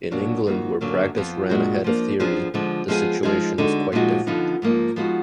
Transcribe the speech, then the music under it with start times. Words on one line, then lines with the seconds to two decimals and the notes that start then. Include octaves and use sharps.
In England, where practice ran ahead of theory, the situation was quite different.
0.11 B2 F#3 A#3 D4 F#4
0.47 F2 D#3 A#3 D#4 F#4
0.81 F#2 D3 F#3 A#3
1.15 F2 F3 B3
1.50 A#2 G#3 D4 F#4
1.84 F3 A#3 D4
2.19 F2 F3 B3 D4 G#4
2.54 D3 F3 G#3
2.88 F3 G#3 B3 F4 G#4
3.23 F3 G#3 D#4 G#4
3.58 D3 G#3 D#4 F#4
3.92 A#2 F3 G#3 D#4 F#4
4.27 D3 F3 B3 D#4
4.62 G#2 F3 A#3 D#4
4.96 F3 G#3 B3 D#4 F#4